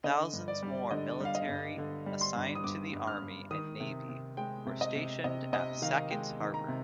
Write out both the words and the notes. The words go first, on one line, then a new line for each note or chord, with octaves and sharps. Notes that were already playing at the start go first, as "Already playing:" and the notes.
Thousands more military assigned to the Army and Navy were stationed at Sackets Harbor.
D3 D#5
G2
D5
G3
D3 D#5
G3 F5
D#5
G2
D3
G3
C6
G2
D#6
G2 D6
G2
F6
G2
D#3 D#6
C3
C3
G#3 G5
C3
D#5
C3
C3 D#5
C3 D#5
D#3 F5
G#3 G5
D#3
A#5
C3